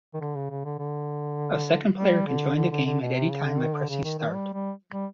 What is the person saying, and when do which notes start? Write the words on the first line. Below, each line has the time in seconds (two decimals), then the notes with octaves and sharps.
A second player can join the game at any time by pressing start.
0.14 D#3
0.21 D3
0.35 C#3
0.50 C#3
0.65 D3
0.79 D3
1.97 G3
2.27 D3
2.56 D3
2.71 D3
2.86 D3
3.01 B2
3.16 C3
3.30 C#3
3.45 D3
3.60 D#3
3.75 D3
3.89 C#3
4.04 D#3
4.18 D#3
4.34 G3
4.53 G3
4.93 G3